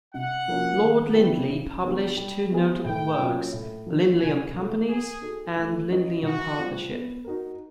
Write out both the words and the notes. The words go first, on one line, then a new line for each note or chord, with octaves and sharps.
Lord Lindley published two notable works, "Lindley on Companies" and "Lindley on Partnership".
C3 F#5
F3 A#3 C#4 F#4
D#3
G3 B3 E4
C#3
F#3 B3 D4 G4
G3
B3 E4 G#4 C5
A2 G5
F#3 A#3 C#4 F4
A2
F3 A#3 D4
C3 G#5
E3 A3
A#3 G#4
D#4 F#4 A4
A3
C#4 F#4 B4 D#5
E3 F#4
G3 C4 F4
B3
D#4 F#4 A#4